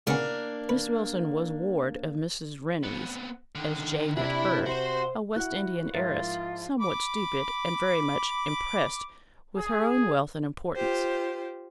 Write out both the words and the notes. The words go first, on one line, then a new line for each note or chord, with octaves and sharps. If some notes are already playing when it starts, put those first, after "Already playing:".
Miss Wilson was ward of Mrs. Rennie's, as Jane had heard, a West Indian heiress, somewhat stupid, and very much impressed with her own wealth and importance.
C#3 A#3 B3 C#4 D4
B4
B3 C4
D3 D#3
C3 D4 E4 D5
F#4 C5
E4 F#4 F#5 F#6
G#2 F3 F4 A#4 E5 A6
B5 D6
G#4
F4 G4 C5